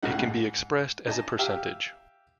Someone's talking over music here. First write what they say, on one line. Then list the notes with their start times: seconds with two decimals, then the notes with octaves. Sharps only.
It can be expressed as a percentage.
0.03 C#2 A2 C#3 D#4 F#5
0.19 G#2
1.07 D#4 D#5 G#5 A5
1.39 G4 E5 F5 G5